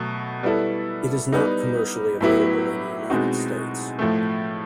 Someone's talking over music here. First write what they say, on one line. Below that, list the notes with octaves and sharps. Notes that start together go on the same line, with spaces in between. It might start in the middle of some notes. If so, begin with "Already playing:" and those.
It is not commercially available in the United States.
Already playing: B2 F#3 A3
G3 B3 E4 A4
G3 B3 D#4
A2 F#3 B3 E4 G4
B2 G#3 C4 D#4 F#4
A2 F3 A3